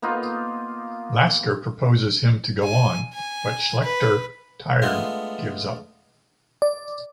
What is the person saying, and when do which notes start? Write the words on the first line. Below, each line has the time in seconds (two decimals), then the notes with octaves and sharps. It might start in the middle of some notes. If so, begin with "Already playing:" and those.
Lasker proposes him to go on, but Schlechter, tired, gives up.
0.02 A#3 B3 D#4 F4
2.63 G#5
3.14 G#5
3.83 B4
4.82 G#3 A3 B3 D4 F4
6.62 D5